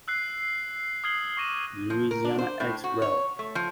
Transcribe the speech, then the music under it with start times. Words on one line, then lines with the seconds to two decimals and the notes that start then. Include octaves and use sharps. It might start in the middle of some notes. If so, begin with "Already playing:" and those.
Louisiana ex rel.
0.08 E6 F#6 C7
1.04 D#6 F6 G#6 C7 F#7 G7
1.37 C#6 D6 A#6 C7 D#7 E7
1.90 F3
2.11 A#4
2.25 D4
2.38 C5
2.60 A2
2.84 F#4
3.02 C#5
3.39 A3
3.55 F3